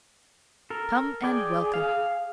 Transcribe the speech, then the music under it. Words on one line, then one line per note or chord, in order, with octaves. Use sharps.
"Come, and welcome."
A4 A#4
G#4 D5 G5 G#5
F5